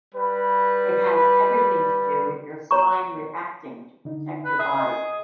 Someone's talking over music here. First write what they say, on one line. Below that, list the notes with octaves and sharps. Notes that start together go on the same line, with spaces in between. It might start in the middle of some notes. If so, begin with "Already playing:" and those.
It has everything to do with your spine reacting to protect your body.
G3 B4
C#5 A#5 C#6
D3 D#4
B4
G#4 E5 A#5
D#5